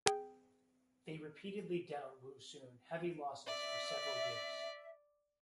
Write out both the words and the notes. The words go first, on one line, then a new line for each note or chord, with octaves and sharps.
They repeatedly dealt Wusun heavy losses for several years.
G#4 G5
D5 E5